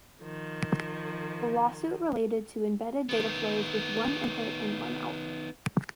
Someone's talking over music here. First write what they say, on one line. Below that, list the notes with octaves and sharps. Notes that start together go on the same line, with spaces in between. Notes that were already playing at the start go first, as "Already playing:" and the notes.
The lawsuit related to embedded data flows with one input and one output.
D#3 F3
D#3 B3